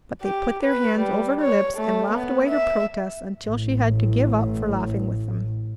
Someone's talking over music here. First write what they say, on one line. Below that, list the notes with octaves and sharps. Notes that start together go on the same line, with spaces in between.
But they put their hands over her lips, and laughed away her protests until she had to give up for laughing with them.
G4
B4
G3
C#5
A3
B3
E5
A1 A2